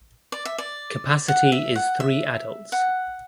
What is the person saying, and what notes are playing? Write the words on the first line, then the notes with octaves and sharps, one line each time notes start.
Capacity is three adults.
D5
E5
D5
F#5
E5
F#5
E5
F#5